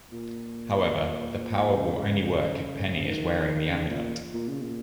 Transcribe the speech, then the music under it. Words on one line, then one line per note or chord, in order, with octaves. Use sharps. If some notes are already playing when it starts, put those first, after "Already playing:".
However, the power will only work if Penny is wearing the amulet.
A#2
C#3
C#3
D#3
C#3
A#2
A#2
C#3
A#2